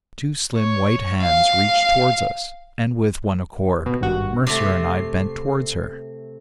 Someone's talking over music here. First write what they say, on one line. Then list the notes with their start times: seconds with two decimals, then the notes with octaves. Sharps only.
Two slim white hands reached towards us, and with one accord, Mercer and I bent towards her.
0.57 C#5
1.23 F5
3.86 B2
4.01 G#1 G2 F#4
4.47 C3 A3 C7